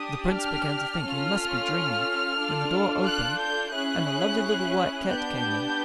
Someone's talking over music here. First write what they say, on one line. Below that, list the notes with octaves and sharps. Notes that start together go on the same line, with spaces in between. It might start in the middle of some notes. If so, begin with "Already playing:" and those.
The Prince began to think he must be dreaming, when the door opened, and a lovely little White Cat came in.
Already playing: D4 G4 D#6
F6
C#4 F4 A4
D4 F4 A4
F#6
G6
C#4 E4 G#4 F#6
B3 D4 G4 G6